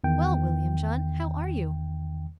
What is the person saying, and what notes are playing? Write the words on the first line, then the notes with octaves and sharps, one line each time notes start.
"Well, William John, how are you?"
E2 D#3 G5